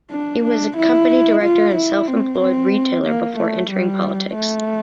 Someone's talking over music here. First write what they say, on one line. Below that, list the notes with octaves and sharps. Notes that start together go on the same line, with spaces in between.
He was a company director and self-employed retailer before entering politics.
D4
D4
E4
F4
E4
C4
C4
A#3
A3
G3
A3